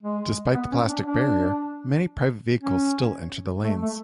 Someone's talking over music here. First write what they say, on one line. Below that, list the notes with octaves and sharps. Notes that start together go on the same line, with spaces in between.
Despite the plastic barrier, many private vehicles still enter the lanes.
G#3
B3
C#4
D4
D4
C#4
A3
A3